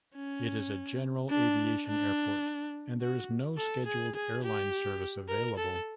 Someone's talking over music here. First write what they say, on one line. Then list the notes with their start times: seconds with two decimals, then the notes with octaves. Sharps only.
It is a general aviation airport and there is no scheduled airline service available.
0.16 C#4
1.29 D4
1.87 D4
3.01 F#4
3.57 A4
3.86 G#4
4.15 G#4
4.44 G4
5.28 A#4
5.57 A4